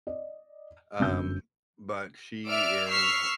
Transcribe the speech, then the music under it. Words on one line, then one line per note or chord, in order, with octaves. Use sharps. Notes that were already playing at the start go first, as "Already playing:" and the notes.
um, but she is
D5 D#5
G1 F#2 E6 G6
D5 E5 E6 F6 D7
C#6 E6 F6 B6 C7